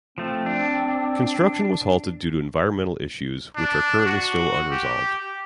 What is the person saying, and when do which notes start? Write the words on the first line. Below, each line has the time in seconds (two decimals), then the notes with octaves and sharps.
Construction was halted due to environmental issues, which are currently still unresolved.
0.18 F3 A3 C4
0.46 D4
3.56 D4
4.06 F#4
4.72 G4